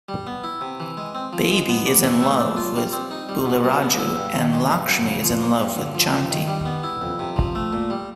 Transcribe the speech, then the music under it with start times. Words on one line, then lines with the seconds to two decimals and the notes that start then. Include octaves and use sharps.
Baby is in love with Buliraju and Lakshmi is in love with Chanti.
0.09 G3
0.27 B3
0.44 E4
0.61 C3
0.80 E3
0.97 G#3
1.15 C4
1.33 F3
1.51 G#3
1.69 B3
1.86 D4
2.04 E3
2.21 A3
2.40 D4
2.56 F4
2.75 G3
2.92 C4
3.11 D#4
3.29 G3
3.45 B2
3.64 G3
3.82 B3
3.99 E4
4.17 G2
4.35 D#3
4.53 G#3
4.71 G2
4.88 F#2
5.06 C#3
5.24 F3
5.42 A#3
5.60 G2
5.77 D3
5.95 F3
6.13 G2
6.31 D#3
6.48 G3
6.65 B3
6.84 E4
7.02 F2
7.19 C3
7.36 F3
7.55 A3
7.73 A#2
7.90 G3